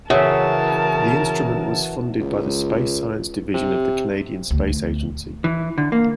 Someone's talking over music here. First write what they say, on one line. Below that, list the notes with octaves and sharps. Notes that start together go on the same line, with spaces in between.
The instrument was funded by the Space Science Division of the Canadian Space Agency.
C#3 E3 F#4 A#4 E5 A5
C#2
C3
D2
E3
D3
A#3